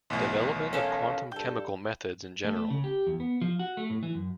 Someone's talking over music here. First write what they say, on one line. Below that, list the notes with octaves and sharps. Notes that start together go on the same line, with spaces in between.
Development of quantum-chemical methods in general.
B1 E2 A2
C#4 A4 A#4 C#5 F5
G2 A4 G5
A3
A3
C#3
G4
E2
B3
F3
F#4
A3
A2
E3
F#2